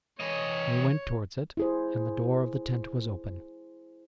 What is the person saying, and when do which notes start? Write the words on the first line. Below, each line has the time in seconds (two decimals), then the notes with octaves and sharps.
And he went towards it; and the door of the tent was open.
0.20 E3 C#5 D#5
1.57 E4 G#4 C5